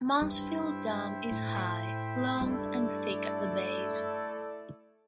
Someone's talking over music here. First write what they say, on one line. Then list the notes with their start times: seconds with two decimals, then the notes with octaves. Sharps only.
Mansfield Dam is high, long, and thick at the base.
0.21 G2 E4 C5 E5 G5
1.31 A2
2.41 G2 A3 E4 A4 D5